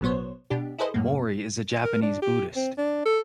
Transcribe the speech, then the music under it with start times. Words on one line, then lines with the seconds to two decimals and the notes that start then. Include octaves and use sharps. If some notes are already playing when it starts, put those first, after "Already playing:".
Mori is a Japanese Buddhist.
0.01 A1 B2 F#3 B3 C5 C#5
0.50 B2 D4 G4
0.78 E4 G#4 A4 B4 C5 D#5
0.94 F#2 A2 A#3
1.84 A#4
2.02 D4
2.22 G4
2.56 C4
2.78 D4
3.05 A4